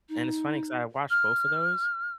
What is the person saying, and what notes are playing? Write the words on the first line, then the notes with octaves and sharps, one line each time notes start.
And it's funny 'cause I watched both of those,
D#4
F6